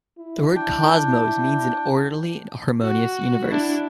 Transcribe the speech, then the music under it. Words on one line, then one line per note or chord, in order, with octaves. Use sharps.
The word "cosmos" means an orderly and harmonious universe.
E4
D4 G5
F#4
D4 E4